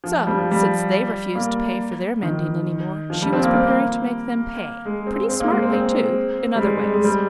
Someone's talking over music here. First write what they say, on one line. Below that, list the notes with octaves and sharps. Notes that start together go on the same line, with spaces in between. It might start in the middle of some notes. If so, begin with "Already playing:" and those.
So, since they refused to pay for their mending any more she was preparing to make them pay, pretty smartly too, in other ways.
F3
G3
F3
G3
A#3
D#3
F3
G3
C4
A#3
A#3
G#3
C4
C4
A#3
G#3
C4
C4
G3
G#3
G#3
G#3
G3